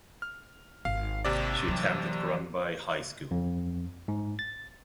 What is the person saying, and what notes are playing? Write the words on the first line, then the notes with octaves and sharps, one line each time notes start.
She attended Granby High School.
F6
G#1 F5
D#2 C3 D5
E3 F#3
F2
G#2
A6